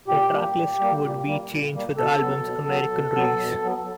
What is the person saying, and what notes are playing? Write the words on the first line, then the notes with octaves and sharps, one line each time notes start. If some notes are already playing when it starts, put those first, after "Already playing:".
The track list would be changed for the album's American release.
A#2 G4
G3 A#3
A#2
G3 A#3
A#2
G3 A#3
A#2
G3 A#3
B2 A4
F#3 B3
B2
F#3 B3
B2
F#3 B3
B2
F#3 B3